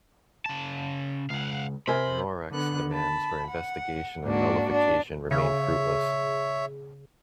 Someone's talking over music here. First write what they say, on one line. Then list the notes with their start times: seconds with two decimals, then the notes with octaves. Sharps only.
Norex' demands for investigation and nullification remained fruitless.
0.46 C#3 A5
1.30 C#2 F5 F#5
1.87 C3 A#4 C5 G#5 B5
2.52 D3 B3 F#6
2.93 A5 B5
3.46 F#5
4.24 G#2 A#3 D4 F#4
4.72 D4
5.31 C#3 C#5 E5